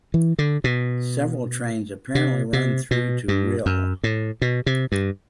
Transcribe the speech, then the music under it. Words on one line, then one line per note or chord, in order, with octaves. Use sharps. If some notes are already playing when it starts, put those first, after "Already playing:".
Several trains apparently run through to Rhyl.
E3
D3
B2
C3
C3
B2
G2
F#2
A2
B2
C3
G2